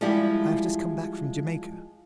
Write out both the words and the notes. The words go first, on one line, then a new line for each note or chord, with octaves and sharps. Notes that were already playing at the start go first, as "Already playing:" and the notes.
I have just come back from Jamaica.
F3 G3 G#3 E4 G4